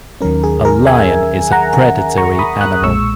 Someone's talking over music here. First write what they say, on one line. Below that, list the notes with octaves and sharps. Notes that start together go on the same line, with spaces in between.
A lion is a predatory animal.
D#2 D#3 F#3 C#4 A#4
G#4
A#4
E5 G#5
F#5 A#5
A#5 C#6
B5 D#6
D#6 F#6
B1 A#2 G#3 C#6 E6